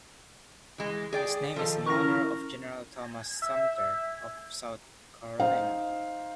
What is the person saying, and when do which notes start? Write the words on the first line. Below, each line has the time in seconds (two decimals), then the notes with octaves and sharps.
Its name is in honor of General Thomas Sumter of South Carolina.
0.78 E3 G#3
1.13 G#4 D5 G5
1.56 D#3 F3 A4
1.86 C#4 E4 A#4 C#6 A#6
3.42 E5
5.40 D#4 C5 D#5 F5